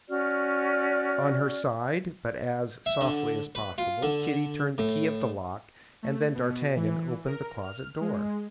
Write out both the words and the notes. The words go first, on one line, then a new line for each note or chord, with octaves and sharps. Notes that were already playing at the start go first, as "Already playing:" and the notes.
On her side, but as softly as possible, Kitty turned the key of the lock, and then d'Artagnan opened the closet door.
C#4 F#4 D5 F6
E5
D3
B4
F4
D3
A2
A3
B2
E3
A#4
F6
G#3